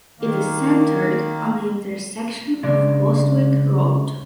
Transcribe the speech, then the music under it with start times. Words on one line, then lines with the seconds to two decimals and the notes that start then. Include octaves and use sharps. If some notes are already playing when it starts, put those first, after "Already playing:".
It is centered on the intersection of Bostwick Rd.
0.20 D#3 A#3
2.63 C#3 G#3 D4 D5